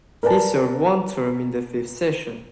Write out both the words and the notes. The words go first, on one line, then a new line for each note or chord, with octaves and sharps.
He served one term in the Fifth Session.
A#4 B4 D5 G#5 A5